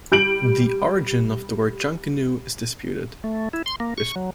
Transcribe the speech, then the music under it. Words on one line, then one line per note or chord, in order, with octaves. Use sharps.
The origin of the word "junkanoo" is disputed.
G3 G6 D7 F#7
A3
E4
C6
A#3
C#6
F#3